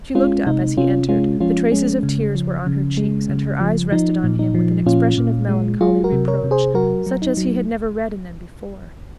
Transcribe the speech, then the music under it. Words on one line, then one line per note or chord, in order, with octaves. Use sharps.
She looked up as he entered: the traces of tears were on her cheeks, and her eyes rested on him with an expression of melancholy reproach such as he had never read in them before.
G#3 C#4 F4
C3 D#4
C3 C#4 F4
G#3 C#4 F4
F3 C#4 F4
G#3 C#4
C#3
F3
C#3
G#3
C#3
F3
F3 D#4
A#2
D#4
F3
A#2 C#4 F4
A#2
G#3
F#3 F4 G#4
F#4 A#4
C3
A#4 C#5
C3
G#4 C5
F#3 F#4 A#4
F#3
D#4
F#3